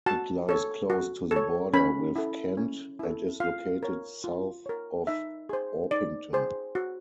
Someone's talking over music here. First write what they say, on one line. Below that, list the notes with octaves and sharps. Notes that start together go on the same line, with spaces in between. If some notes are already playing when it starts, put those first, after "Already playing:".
It lies close to the border with Kent, and is located south of Orpington.
F#4 A5
A4 C#5
F#4
A4
C#5
C#4 B5
E4 A4
C#4
E4 A4
F4 F5
A#4 C#5
F4
A#4 C#5
D#4 E5
G#4 C5
D#4 D5
G#4 C5
F#4